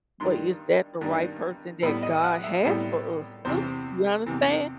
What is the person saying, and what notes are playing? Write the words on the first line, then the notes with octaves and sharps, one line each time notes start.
but is that the right person that God has for us too? You understand?
G2 D#3 G3 C6
G2 D#3 G3
A2 G3 B3 B5
D#5
F#5
E5
A2 G3 B3
E2 C3 E3 C5
E2 C3 E3